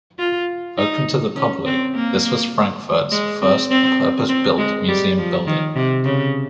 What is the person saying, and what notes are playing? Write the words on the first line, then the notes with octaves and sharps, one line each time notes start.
Open to the public, this was Frankfurt's first purpose-built museum building.
F4
D#4
C#4
C4
A#3
G#3
C4
C4
C4
G#3
G3
F3
D#3
C3
C#3